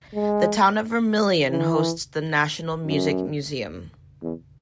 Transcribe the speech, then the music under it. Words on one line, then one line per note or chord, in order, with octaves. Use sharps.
The town of Vermillion hosts the National Music Museum.
G#3
E3
F#2
E2